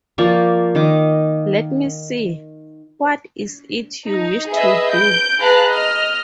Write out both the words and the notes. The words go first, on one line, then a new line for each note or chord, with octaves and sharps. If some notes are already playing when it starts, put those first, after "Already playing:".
Let me see, what is it you wish to do?
F3 A#3 D5 C#6
D#3 D#5 D6
D#4
G#4 B4 D#5 E5
G6 D7
G#4 B4 F5 A5 A#5 F#6
D#5 F6